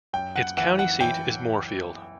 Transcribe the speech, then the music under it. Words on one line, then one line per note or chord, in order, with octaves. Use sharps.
Its county seat is Moorefield.
F#2 G5
F#5
E3 F#5
F#5
E3 G5